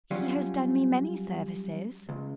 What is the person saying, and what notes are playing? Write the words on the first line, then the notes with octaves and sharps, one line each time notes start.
"He has done me many services."
F#3 G3 C#4 F4
C#2